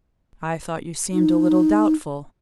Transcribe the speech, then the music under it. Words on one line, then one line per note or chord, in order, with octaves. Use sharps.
'I thought you seemed a little doubtful.'
D#4